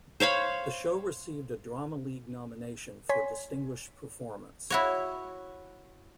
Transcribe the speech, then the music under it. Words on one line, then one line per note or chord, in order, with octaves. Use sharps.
The show received a Drama League nomination for "Distinguished Performance".
C5 C#5 F5 B5
C#5 G#5 C6 B6
E4 F#4 C#5